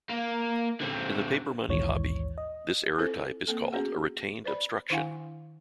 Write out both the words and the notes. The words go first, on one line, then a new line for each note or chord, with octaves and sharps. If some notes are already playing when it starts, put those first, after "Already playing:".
In the paper money hobby, this error type is called a retained obstruction.
A#3
D3 C4
A#1 D#2 G#2 E3 C#5
D#5
C4 E4 F4 A4 C5
A#3 C4 A4
B3 C#4 F#4 G#4 F#5
B4 C5 D5 B5
D#3 D4 E4 F5 F#5 G#5